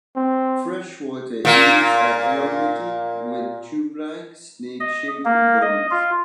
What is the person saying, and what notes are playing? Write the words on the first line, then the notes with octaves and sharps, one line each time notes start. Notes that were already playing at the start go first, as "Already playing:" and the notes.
Freshwater eels are elongated with tubelike, snake-shaped bodies.
C4
A#2 A#3
D#5
A#3
D#5
F4